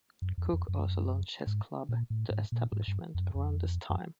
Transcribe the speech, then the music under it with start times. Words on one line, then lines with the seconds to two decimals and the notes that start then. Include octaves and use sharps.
Cook also launched his club, The Establishment, around this time.
0.22 F#2
0.38 F2
0.53 F2
0.68 F#2
1.47 G#2
1.89 A#2
2.10 A2
2.30 G#2
2.52 A#2
2.72 G#2
2.88 G2
3.15 F2
3.20 F#2
3.35 F2
3.90 F#2